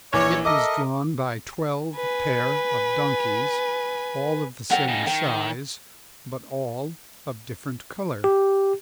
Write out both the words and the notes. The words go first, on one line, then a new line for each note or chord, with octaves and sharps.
It was drawn by twelve pair of donkeys, all of the same size, but all of different color.
A#1 E3 C#5 D6
A4 A#4 D#5 E5 D6
B4 G#5
F#3 A#4 F#5 G5
C#3 D#4
D#3 G5
G4